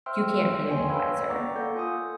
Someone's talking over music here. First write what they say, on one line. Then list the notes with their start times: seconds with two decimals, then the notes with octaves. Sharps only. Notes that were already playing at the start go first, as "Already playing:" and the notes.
you can't be an adviser."
0.06 C5 E5 G5 C6 E6 F6
0.67 C#5 D#5 G5 G#5 C6
0.89 B4 C#5 F5 B5 E6 G#6
1.27 D5 F#5 G5 A#5 C#6 D6
1.55 A#3 A4 F#5 G6
1.75 F4 G#5 D#6